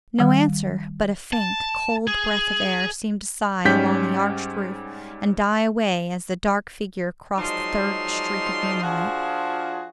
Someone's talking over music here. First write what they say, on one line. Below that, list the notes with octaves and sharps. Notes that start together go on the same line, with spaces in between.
No answer, but a faint, cold breath of air seemed to sigh along the arched roof and die away as the dark figure crossed the third streak of moonlight.
D#3 G3
A5
G#4
G#2 G3 C#4 G5 G6 B6
F3 F#3 G#3 D#4 D5 C6
F3 D4 F4 F#4 G#4